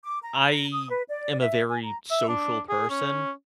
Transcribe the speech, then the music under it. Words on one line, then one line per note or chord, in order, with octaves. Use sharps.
I am a very social person,
D6
A#5
A#5
D#6
B4
D5
E5
G#5
A#5
E5
D4
G#4
C#4